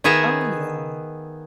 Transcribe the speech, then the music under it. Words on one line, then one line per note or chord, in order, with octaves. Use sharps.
Oh, yeah.
D#3 B3 G#4 E5 F#5 A#5